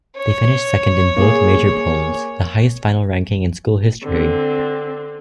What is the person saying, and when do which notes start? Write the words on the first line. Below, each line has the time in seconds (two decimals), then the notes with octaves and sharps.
They finished second in both major polls, the highest final ranking in school history.
0.18 C#5
1.16 A#3 G#4
4.04 D3 C4